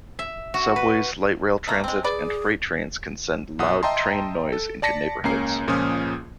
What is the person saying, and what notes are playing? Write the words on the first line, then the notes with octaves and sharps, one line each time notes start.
Subways, Light Rail transit and freight trains can send loud train noise into neighborhoods.
E5
F#4
B4
A3 A#3
G#3 C4
G#4 B4 D5
B1 F#5 D#6
D#5 E5 G5 A5 A#5 C6
A4
D5 A5 A#6 B6 C#7
C#2 A#3 C#4 A#5 C7
C#2 A#2 F3 C#4 D#6 F6